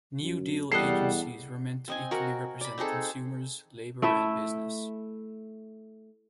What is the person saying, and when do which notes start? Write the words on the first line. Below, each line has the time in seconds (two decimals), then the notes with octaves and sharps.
New Deal agencies were meant to equally represent consumers, labor and business.
0.21 F#2
0.72 E2 G3 A4 D#5 F#5 C7
1.88 C4 D#5 G#5
2.11 F#4 A#4 F#5
2.61 D5 B5
2.78 C4 D#4 G#4 A4
4.02 A3 E4 E5